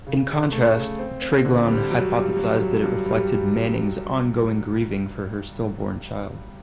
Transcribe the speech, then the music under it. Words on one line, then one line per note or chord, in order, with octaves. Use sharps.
In contrast, Treglown hypothesised that it reflected Manning's ongoing grieving for her stillborn child.
C#3
C#3
A3
C#3
C4
C4
D3
G3
F#3
G2
F#3
F#3
G2
G3